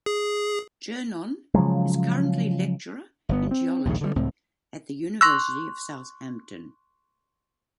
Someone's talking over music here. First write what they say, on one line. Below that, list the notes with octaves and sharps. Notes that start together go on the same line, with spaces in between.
Gernon is currently lecturer in geology at the University of Southampton.
G#4
C#3 F3 F#3 G#3
G1 C3 B3
C4
A#1 D#2 G#2 C#3
D3 F3 G3
C#2 A2 C4
C6 C#6 E6 F#6 A#6